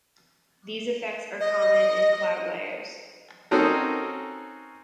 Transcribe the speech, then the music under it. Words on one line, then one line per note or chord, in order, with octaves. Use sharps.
These effects are common in cloud layers.
D#5
C4 C#4 D#4 F#4 A4 A#4